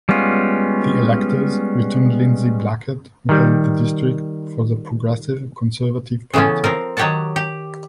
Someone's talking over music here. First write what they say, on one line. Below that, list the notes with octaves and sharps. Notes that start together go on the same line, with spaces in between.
The electors returned Lindsay Blackett who held the district for the Progressive Conservative Party.
G3 G#3 B3 C#4 F4
D#3 G3
C#3 E3 A3 B3 C#4
F3 C4 A#4
D#3 F#3 G4 C#5 F#5 A5
G4